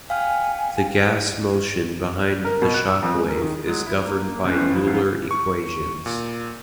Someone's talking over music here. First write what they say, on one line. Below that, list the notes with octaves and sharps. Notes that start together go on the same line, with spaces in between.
The gas motion behind the shock wave is governed by Euler equations.
F5 G5 G#5 F6
A#4
B2
F#6
E6
F2
G#3
A#4
D#3
F#3 G#3
E4
A#3
F3 G3 A3 C#4 B4 C5
F3 E4
F3 F#3 A3 B3 C#4 F5
C#6
A#2